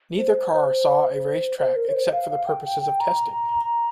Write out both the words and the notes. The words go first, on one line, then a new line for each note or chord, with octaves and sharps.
Neither car saw a racetrack except for the purposes of testing.
C5
C5
C5
A#4
C#5
C5
F5
F5
G5
G5
G5
A#5